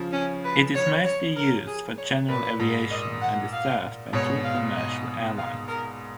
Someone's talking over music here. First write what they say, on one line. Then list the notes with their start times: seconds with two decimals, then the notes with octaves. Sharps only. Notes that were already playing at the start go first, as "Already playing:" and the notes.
It is mostly used for general aviation and is served by two commercial airlines.
Already playing: C#3 F3
0.13 C#4
0.44 B4
0.75 C#5
1.05 C#5
1.36 A#4
1.66 G#4
1.98 C#5
2.28 A#2 B4
2.60 G#2
2.90 A#2 D#5
3.21 F#5
3.52 F5
4.13 G#2 B2 C#5
4.44 F5
4.75 D#5
5.37 F5
5.68 A#4